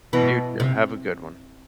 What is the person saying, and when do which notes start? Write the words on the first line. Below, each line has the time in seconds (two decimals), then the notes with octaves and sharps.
You too, have a good one.
0.13 B2 E3
0.60 C3